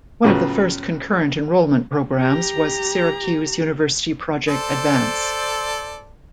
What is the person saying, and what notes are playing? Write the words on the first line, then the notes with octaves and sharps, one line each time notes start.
One of the first concurrent enrollment programs was Syracuse University Project Advance.
A2 C#3 F#3 B3 F4 C#6
G4 A#5
A4 C5 D5